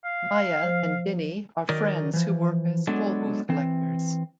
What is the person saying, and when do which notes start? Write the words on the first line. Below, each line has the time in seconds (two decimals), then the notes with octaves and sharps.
Maya and Dini are friends who work as tollbooth collectors.
0.05 F5
0.63 F3 C5
1.69 D#3 F#3 A#4 D5 D#5
2.14 E3 F3
2.87 F#3 G#3 B3 D4 A4 D5
3.49 E3 C4